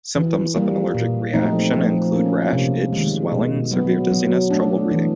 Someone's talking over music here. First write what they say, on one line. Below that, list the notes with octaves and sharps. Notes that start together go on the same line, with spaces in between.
Symptoms of an allergic reaction include rash, itch, swelling, severe dizziness, trouble breathing.
E3
G3 A#3
A#2
F3 A3 C4 D#4
F3
A#3 C#4
C3
D#3 G#3
B2
F#3 B3
F#3
A3 D4
E3